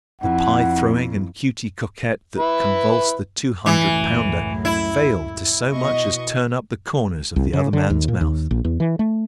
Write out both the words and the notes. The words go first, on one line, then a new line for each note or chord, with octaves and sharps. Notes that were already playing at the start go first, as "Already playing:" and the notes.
The pie-throwing and Cutey Coquette that convulse the two-hundred-pounder fail to so much as turn up the corners of the other man's mouth.
F2 E4 F#5
E4 B4
C#2 F#2 A2 E3
E4
B2 D#5 C#6
C2
C#3
D3
D#2
A#2
D#2
A#1
E2
E3
A3